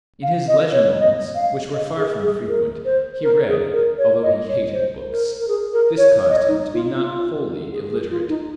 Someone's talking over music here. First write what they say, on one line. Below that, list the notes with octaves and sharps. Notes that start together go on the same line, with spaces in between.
In his leisure moments, which were far from frequent, he read, although he hated books; this caused him to be not wholly illiterate.
F5
D#5
C#5
D#5
F5
D#5
G#4
G#4
A#4
C5
A#4
G#4
A#4
C#5
D#5
C#5
C5
A#4
A#4
G#4
A#4
C#5
C#5
D#5
C#5
D#4
F4
F4
G#4
G#4
F4
D#4